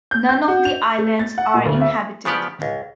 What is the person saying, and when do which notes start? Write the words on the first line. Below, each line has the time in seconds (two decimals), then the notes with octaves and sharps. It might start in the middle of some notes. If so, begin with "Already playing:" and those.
None of the islands are inhabited.
0.11 G6
0.29 G6
0.48 F#4
0.65 F7
0.99 A3
1.19 A6
1.38 F#5
1.54 A#2
1.66 D2
1.81 E5
2.25 C#3 F3 B3 G4 D5
2.62 C#2